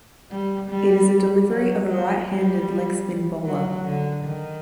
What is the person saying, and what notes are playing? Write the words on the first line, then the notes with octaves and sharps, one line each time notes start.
It is a delivery of a right-handed leg spin bowler.
G3
G3
F#3
F#3
G3
F#3
D3
D#3